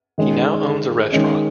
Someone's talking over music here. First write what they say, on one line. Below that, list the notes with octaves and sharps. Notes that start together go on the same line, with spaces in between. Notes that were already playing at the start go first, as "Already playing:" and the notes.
He now owns a restaurant.
D#3 G#3 C#4
D#3 G#3 C#4